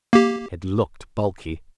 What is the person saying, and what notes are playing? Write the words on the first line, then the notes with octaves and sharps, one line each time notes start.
It looked bulky.
A#3 G4